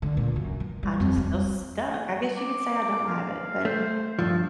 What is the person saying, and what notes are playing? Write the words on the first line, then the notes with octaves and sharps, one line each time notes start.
I just feel stuck, I guess you could say I don't have it, but
D3
A#2
F#2
E3
G3
F2
G3
D6
F5
A3 C5
G2 F3 A4